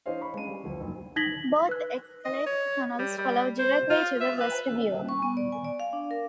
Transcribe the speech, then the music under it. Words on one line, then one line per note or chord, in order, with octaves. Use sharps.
Both escalator tunnels follow directly to the vestibule.
E3 D4 C5 C#5 D#5 F5
B5 C#6
G#3 C#4 D#7
G3
F#1 D2 F3
F#1 B1
D#4 G#6 A#6 B6 F#7 G7
B4 F#6
D#5
C#5
G3
G3
C5
F4
E5
B4
G3
C#6
B3
D5
G#5
D5
F5
D4
A#4